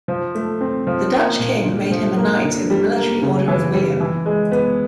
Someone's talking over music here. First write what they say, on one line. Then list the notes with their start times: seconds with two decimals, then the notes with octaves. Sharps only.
The Dutch King made him a Knight in the Military Order of William.
0.08 F3
0.35 A3
0.61 C4
0.87 F3
1.13 A#3
1.39 A#2
1.65 D3
1.91 F3
2.17 A#3
2.44 D3
2.70 G3
2.95 A#3
3.22 C#3
3.48 E3
3.74 G3
4.00 E3
4.26 G#3
4.52 B3